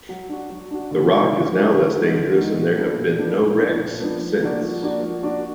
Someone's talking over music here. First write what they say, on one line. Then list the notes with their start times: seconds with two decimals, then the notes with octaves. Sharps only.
The rock is now less dangerous and there have been no wrecks since.
0.09 F#3
0.29 D4 F#4
0.50 F#3
0.71 D4 F#4
0.91 D3
1.12 G#3 D#4 F#4 A#4
1.32 D3
1.53 G#3 D#4 F#4 A#4
1.74 D3
1.94 G#3 D#4 F#4 A#4
2.15 D3
2.35 G#3 D#4 F#4 A#4
2.56 A#2
2.76 F3 B3 D4
2.97 A#2
3.18 F3 B3 D4
3.38 A#2
3.59 F3 B3 D4
3.79 A#2
4.00 F3 B3 D4
4.21 F3
4.41 A#3 D4 F#4 D5
4.61 F3
4.82 A#3 D4 F#4 D5
5.03 F3
5.23 A#3 D4 F#4 D5